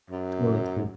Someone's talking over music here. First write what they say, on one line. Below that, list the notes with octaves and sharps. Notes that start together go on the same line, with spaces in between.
totally true.
F#2